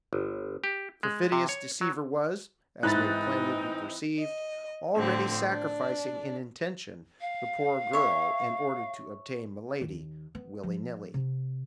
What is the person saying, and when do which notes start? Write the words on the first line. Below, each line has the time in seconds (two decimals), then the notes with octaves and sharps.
The perfidious deceiver was, as may plainly be perceived, already sacrificing, in intention, the poor girl in order to obtain Milady, willy-nilly.
0.13 G1
0.64 G4
1.03 G#3
1.32 C3
1.49 C#5
1.81 F#3
2.83 G#2 E3 C4 D#4 E4 B5 F#6 A6
4.19 D#5
4.95 A2 D3 F3 C4
5.48 D4
7.21 F5
7.93 C#5 E5
9.81 D#2
10.35 B3
10.63 F3
11.14 C3